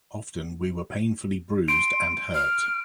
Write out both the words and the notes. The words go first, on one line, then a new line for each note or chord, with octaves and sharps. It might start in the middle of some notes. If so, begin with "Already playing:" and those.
Often we were painfully bruised and hurt.
C6 D7
F6